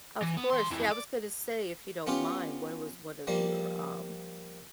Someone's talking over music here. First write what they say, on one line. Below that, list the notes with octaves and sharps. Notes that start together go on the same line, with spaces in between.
Of course, yeah, I was gonna say if you don't mind what it was one of your um
E3
B3
E3 C6
F2 E3
D5
B3 C#4 F4 G4
F3 G3 A#3